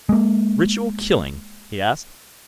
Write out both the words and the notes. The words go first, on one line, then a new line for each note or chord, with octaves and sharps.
"Ritual killing?" he asked.
G#3 A#3